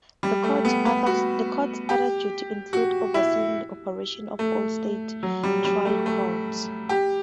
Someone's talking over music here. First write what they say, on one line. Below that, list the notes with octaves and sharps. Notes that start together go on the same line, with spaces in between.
The Court's other duties include overseeing the operations of all state trial courts.
G3
A3
B3
B3
F#4
G4
F#4
E4
A3
F#3
G3
G3
A3
A3
G4